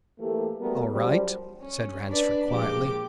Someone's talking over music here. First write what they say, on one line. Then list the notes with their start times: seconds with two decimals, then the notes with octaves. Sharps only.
"All right," said Ransford quietly.
0.20 E3 A3 A#3 G4
0.59 G3 A3 B3 F#4 A#4
0.91 F#2 F3 G3
1.61 C#4
2.09 D4 B4 D5
2.48 A#2 F3 G#3 G4 D6